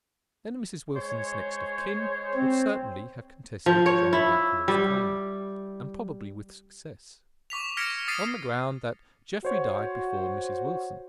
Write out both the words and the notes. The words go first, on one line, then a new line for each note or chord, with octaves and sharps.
Then Mrs. Wilson's next of kin would certainly have contested John Blackmore's claim--and probably with success--on the ground that Jeffrey died before Mrs. Wilson.
G#3 C5 C#5
C4
F3
C#5
E4
G3
C#6 D6 B6 F7
F6 G#6 A#6 B6 C#7 D7
D#6 A6 B6 C7 D#7
F#4 C5 C#5